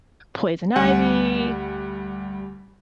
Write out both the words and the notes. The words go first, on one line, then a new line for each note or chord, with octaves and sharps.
poison ivy,
D2 G3 F#5 G#5 C#7